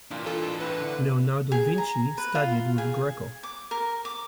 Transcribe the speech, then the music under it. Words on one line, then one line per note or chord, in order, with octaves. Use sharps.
Leonardo Vinci studied with Greco.
A#2 E3 D4
F4 A4
A2 B4
D3 B3 E4
G#4
A#5
B4
F4
G#4
D6
A#4
D6